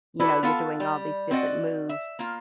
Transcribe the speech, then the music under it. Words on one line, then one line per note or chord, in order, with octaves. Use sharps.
you know, you're doing all these different moves.
E4 F#4 A4 B4 D5
B3 F4 A4 F5 A5
G3
C4 F#4 D5 D#5 F#5
E5
A#3 F4